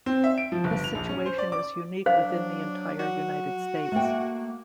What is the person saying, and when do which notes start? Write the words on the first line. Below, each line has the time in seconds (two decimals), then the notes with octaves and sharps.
This situation is unique within the entire United States.
0.06 C4
0.24 E5
0.38 D7
0.52 F3
0.64 G1
0.84 F7
0.95 A#1
1.09 C#4
1.26 C5
1.38 D5
1.52 D6
2.06 F#3 D4 C5 F5
2.99 F#4
3.92 A3 A#3 G5